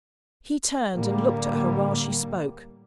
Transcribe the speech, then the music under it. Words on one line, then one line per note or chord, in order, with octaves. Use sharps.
He turned and looked at her while she spoke.
A2 D3 G3 A#3